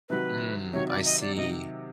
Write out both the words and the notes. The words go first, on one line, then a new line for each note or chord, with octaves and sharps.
Mm. I see.
C3 D#3 F#3 B4
C3 D#3 F#3 C#5
D5
D#5
D5
C3 D#3 F#3 D#5